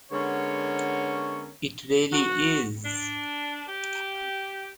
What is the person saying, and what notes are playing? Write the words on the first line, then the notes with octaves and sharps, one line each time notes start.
It really is.
D3 G#3 B3 C#4 A#4 C#5
F#4
D4
G4